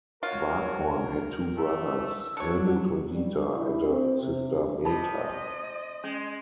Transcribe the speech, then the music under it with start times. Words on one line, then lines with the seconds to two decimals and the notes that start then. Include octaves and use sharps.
Barkhorn had two brothers, Helmut and Dieter, and a sister Meta.
0.23 F4 F#4 A#4 C#5
1.57 A3 E6
2.37 F#3 D4 A4 C#5
3.14 G3
3.55 E4
3.89 C4
4.22 C3
4.85 C3 D#5 A5 B5
6.04 G#3 C#4